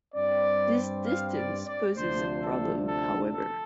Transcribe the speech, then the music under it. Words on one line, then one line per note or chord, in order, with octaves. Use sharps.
This distance poses a problem, however.
G2 G3 C4 D5
F5
D5
D5
D2 C3 F3 D4 C5
A4
A4
A4